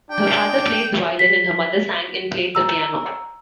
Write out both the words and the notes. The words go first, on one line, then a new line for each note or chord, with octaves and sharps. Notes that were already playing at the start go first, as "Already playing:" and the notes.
Her father played the violin and her mother sang and played the piano.
D4 G5
B6
A#5 E6